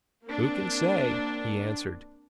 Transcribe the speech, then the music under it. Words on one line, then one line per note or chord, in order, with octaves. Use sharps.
"Who can say?" he answered.
A#3 C4 D4